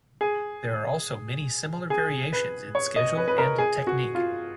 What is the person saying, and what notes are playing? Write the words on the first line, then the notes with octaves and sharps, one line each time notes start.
There are also many similar variations in schedule and technique.
G#4
G#4
B4
C#5
D#5
B4
B4
A#4
G#4
F#4
F4